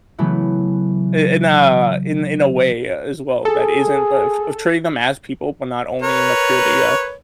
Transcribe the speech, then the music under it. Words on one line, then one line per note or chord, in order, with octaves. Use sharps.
i in a in in a way, uh, as well, that isn't of of treating them as people, but not only in a purely, uh,
C#3 E3 F#3 A3 B3 E4
G#4 A4
A#4 B4 C#5